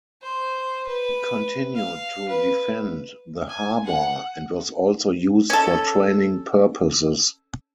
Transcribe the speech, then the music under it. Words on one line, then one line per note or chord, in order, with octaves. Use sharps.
It continued to defend the harbour and was also used for training purposes.
C5
B4
F5
B4
G#5
F#5
C#4 A4